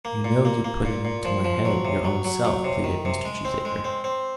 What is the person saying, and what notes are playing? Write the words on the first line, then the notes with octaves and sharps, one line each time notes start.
"You know you put it into my head your own self," pleaded Mr. Cheesacre.
A#3
A#2
A#3
A#3
A#2
A#2
F3
F3
F#3
C3
F#3
F#3
F#3
C3
D#3
C3
G#3
C4
G#3
C4
C4